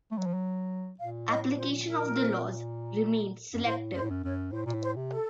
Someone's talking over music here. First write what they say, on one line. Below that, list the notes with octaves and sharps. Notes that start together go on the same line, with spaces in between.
Application of the laws remains selective.
A3
F#3
F3
F#3
A#2 F5
A2 D#5
A#2 C5
A#4
F#2
A2 C5
F#2 C5
A2
F#2
F#2 C#5
A2 C5
A#2
A2
C5
C3
A4